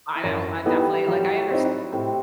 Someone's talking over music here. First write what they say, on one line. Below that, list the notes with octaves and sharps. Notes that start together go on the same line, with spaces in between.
I don't, I definitely, like, I understa
E4
F#2 F#3 F#4
E3 G3 B3 D#4 G4 A4
F#3
F#3 F#4
C4 D#4
E4
F#3 F#4
A2 C3 C4